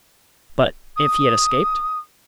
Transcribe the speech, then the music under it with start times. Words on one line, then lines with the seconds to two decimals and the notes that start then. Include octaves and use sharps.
"But if he had escaped?"
0.96 D#6